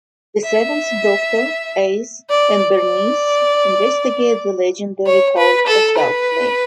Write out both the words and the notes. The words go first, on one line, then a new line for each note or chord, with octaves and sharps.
The Seventh Doctor, Ace and Bernice investigate the legendary Cult of the Dark Flame.
E5
D5
D5
C#5
B4
A4
B4